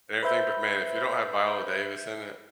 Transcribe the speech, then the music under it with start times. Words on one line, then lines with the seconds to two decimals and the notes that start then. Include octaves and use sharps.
and everything but, man, if you don't have Viola Davis in it,
0.23 B4 C5 E5 B5 G6